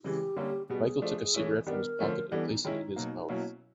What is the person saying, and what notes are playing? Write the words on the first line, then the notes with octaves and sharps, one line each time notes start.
Michael took a cigarette from his pocket and placed it in his mouth.
C#3 E3 G#3 G4
D3 G3 A#3 C#4
B2 G3 B3 G#4
F3 A3 D4
E3 A3 C#4 E4
D#3 G3 B3 D4 A#4
D3 F3 A3 C#4
E3 G3 B3 D4 A4
D#4
D#3 G#3 C#4 D#4 E4
B2 F#3 A#3
B2 F#3 A#3 C#4 E4